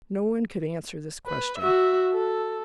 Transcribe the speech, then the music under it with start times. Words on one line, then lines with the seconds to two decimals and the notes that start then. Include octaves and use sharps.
No one could answer this question.
1.26 B4
1.59 F#4 E5
2.13 A4